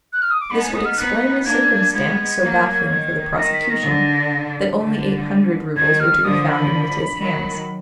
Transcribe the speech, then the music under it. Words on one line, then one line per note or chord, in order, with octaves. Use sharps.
This would explain the circumstance, so baffling for the prosecution, that only eight hundred roubles were to be found in Mitya's hands.
F#6
F6
D#6
D6
B3 D#4 B5
G#5
D#6
F6
B3 D#4 F#6
A#3 D4 G#6
G#3 B3 G#6
F#3 A#3
D#3
D#3 A#6
B6
A#6
D3
D3
D#3 G#6
F6
D3 F3 D#6
B5
D#3 F#3